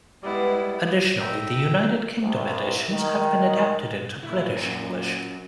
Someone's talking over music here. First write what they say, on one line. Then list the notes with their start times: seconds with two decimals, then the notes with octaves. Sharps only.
Additionally, the United Kingdom editions have been adapted into British English.
0.23 G3 G#3 B3 E4 D5
1.20 E5 G5 A#5
2.21 C2
2.90 D#3
4.23 A#2 E4 E5
4.52 G4 A#4
4.64 F#3 C#4